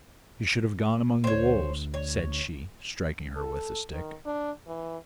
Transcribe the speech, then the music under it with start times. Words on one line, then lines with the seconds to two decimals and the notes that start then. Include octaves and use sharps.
'You should have gone among the wolves,' said she, striking her with a stick.
1.24 D2 C5 C#5
1.94 C#5
3.36 A4
3.92 D#3
4.26 D4
4.67 E3